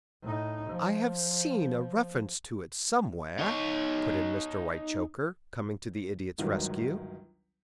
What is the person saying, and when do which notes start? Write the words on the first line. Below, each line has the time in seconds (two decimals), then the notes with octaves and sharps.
"I have seen a reference to it somewhere," put in Mr. Whitechoker, coming to the Idiot's rescue.
0.22 A2 D#4
0.71 F3
3.39 D#4 C#5
6.38 G1 C#2 D#3 F#3